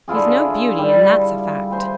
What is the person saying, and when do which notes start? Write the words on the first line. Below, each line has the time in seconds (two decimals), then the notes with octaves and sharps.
"He's no beauty, and that's a fact."
0.08 D3 E4 F4 G#4
0.78 G3
1.71 C5 G#5